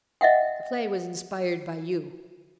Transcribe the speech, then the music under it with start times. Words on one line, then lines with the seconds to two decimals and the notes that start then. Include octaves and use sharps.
The play was inspired by you.
0.21 D#5 E5 F#5 G5